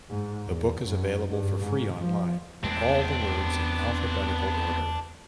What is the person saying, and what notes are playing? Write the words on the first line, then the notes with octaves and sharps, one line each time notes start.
The book is available for free online, with all the words in alphabetical order.
G#2
E2
F#2
G2
G#2
F3
E2 G#3 A3 B3 C4 D4